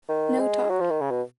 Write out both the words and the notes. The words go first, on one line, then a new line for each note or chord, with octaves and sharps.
No talk.
D#3
G#3
F#3
F3
D#3
C#3
B2